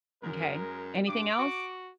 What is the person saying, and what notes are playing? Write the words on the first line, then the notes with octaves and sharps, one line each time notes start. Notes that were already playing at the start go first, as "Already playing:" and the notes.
M'kay. Anything else?
F#2 G#3 A#4
G2 D6
F#4